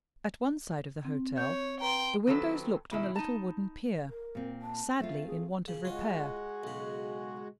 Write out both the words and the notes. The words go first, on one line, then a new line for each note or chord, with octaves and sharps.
At one side of the hotel, the windows looked on a little wooden pier, sadly in want of repair.
C4
C#5 G6
B4 G5 A#5 C6
D#3 F#3 C4 F4 A4 B4
B2 D#3 E4
D#4 A5
A#4
A#2 C4
A5
A3 C4 F4 E5
G#4
A#2 C#3
G#3 C#4 F4 F#4
B1 C#3